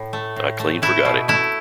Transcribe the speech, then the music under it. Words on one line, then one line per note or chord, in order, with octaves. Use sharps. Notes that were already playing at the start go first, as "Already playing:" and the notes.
I clean forgot it.
Already playing: A2
A3
A2
A3
A3 E4
B2
A3 E4